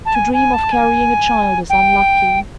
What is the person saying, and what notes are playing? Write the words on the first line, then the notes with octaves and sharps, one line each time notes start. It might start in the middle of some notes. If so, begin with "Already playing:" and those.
To dream of carrying a child is unlucky.
A5
G#5
G#5
A5
G#5
G5